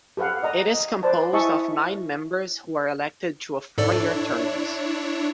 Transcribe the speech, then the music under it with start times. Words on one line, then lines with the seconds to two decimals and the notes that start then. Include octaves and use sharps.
It is composed of nine members who are elected to a four-year terms.
0.17 G4 A4 B4 F5 F#5
0.43 D5 D#5 A#5
0.74 D#5
1.03 B4 C5 D5 A5
1.33 E4 D#5 E5 G#5 A5 C#6
3.78 G#2 D4 E4 A4 C#5 D5